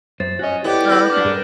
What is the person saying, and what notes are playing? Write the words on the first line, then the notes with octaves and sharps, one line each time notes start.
Oh, okay.
F#2 C5 A6
C#4 F#4 D#5
B3 E4 G4 A4 D5
B3 B4 G6 A#6
D4 D6 F6 F#7
G2 G#4 A#4